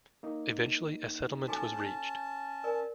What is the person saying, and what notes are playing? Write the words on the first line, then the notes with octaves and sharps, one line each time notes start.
Eventually a settlement was reached.
A#3 D#4
C#4 F#4 A4 G#5 A5
A#4 D5 G#5